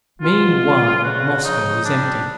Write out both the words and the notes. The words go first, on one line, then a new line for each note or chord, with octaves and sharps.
Meanwhile Moscow was empty.
B2 F4
B2
C#3 F#4
F3 D#4
G3 D4